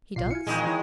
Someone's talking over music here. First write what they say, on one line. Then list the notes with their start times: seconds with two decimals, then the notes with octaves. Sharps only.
"He does?"
0.16 B1 A#2 F4 C7
0.31 E4 F5 G#5 C#7
0.47 E2 A#2 D#3 G#3
0.67 E4 C#5